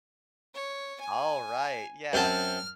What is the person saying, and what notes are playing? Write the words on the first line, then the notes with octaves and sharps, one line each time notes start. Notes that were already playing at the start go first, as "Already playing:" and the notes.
All right, yeah.
C#5
G#5
F#2 C4 A5 F6